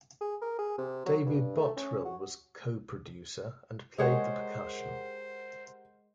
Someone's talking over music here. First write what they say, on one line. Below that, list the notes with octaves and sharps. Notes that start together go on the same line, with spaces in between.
David Bottrill was co-producer and played the percussion.
G#4
A#4
G#4
C3
F#3
G2
A3
C#4
F#4
G#3 G4 G#4 A#4 C5 C#5 F#5